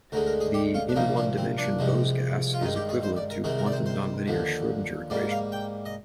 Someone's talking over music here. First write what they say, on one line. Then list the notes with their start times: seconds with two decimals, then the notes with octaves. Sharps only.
The In one dimension Bose gas is equivalent to quantum non-linear Schroedinger equation.
0.12 D2 D3 G#3 A#4
0.27 A#4
0.40 G#4
0.54 G4
0.74 F4
0.89 D4
0.96 C2 A#2 F3 A#3 D#4
1.17 D4
1.38 C4
1.58 D4
1.79 C2 C3 F3 G#3
2.54 F4
2.61 G2 D#3 G#3 D#4
2.76 G4
2.89 G#4
3.03 C5
3.16 D5
3.30 A#4
3.44 C2 C3 D#3 G#3 G#4
3.58 A#4
3.66 D5
3.72 C5
3.86 C5
4.27 D#2 D3 F3
5.10 G#2 G3 A#3 D5
5.31 F5
5.52 G5
5.86 D#5